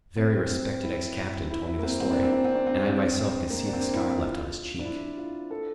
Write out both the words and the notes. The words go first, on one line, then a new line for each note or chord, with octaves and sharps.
"A very respected ex-captain told me the story, and I myself could see the scar left on his cheek."
C4
C4
E4
E4
E4
A#3
C4
C4
D4
C4
D4
C4
D4
C4
D4
C4
A#3
D4
C4
E4
F4
D4
E4
F4
A4